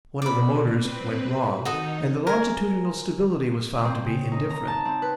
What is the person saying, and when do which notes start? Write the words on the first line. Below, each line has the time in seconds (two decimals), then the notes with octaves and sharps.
One of the motors went wrong, and the longitudinal stability was found to be indifferent.
0.22 B2 D5 B5
0.76 C4 B4
1.65 D#3 D#4 F#4 A4 D#5
2.27 A#4 G#5
3.85 C4
4.06 C#3
4.32 D#4
4.50 A#5
4.68 A5
4.85 C4
5.02 B4